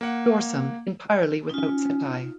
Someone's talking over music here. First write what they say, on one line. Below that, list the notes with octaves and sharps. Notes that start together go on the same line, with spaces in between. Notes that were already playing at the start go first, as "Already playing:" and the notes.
Dorsum entirely without setae.
A#3 F#5
C#4 D#4 F4